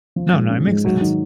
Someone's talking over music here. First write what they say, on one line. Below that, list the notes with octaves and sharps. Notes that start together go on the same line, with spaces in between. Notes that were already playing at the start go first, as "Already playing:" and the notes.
No, no. It makes sense.
F3
G#2
C#4
G#2
F#3
D#3